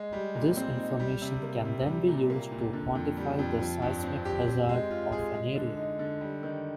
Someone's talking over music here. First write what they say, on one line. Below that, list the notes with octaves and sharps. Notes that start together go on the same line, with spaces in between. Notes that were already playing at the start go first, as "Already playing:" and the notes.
This information can then be used to quantify the seismic hazard of an area.
Already playing: G#3
G3
A#2
C4
D#4
G3
C3
A#3
C3
G3
A#2
A#3
A#2
D3
F2
G3
F2
F3
G2
C4
G4
C4
G#3
F4
G#4
G#3
D3
D#4
D3
G3
D#3